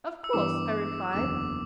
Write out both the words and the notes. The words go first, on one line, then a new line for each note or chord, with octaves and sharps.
'Of course,' I replied.
E6
G2 E3 G3 B3 D6
F#1 E2 D3 D6